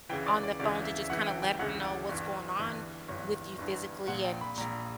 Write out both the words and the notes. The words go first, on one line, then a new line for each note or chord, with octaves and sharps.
on the phone, to just kinda let her know what's going on with you physically and ch
D2 C#3 E3 G5
D5
D5
D2 C#3 E3 D5
E5
E5
D2 C#3 E3 F#5
G5
G5
D2 C#3 E3 F#5
D5
G1 G2 E3
G1 G2 E3
G1 G2 E3 C#5
G1 G2 E3
A#1 A#2 F#5
G5
B5
A#1 A#2 A#5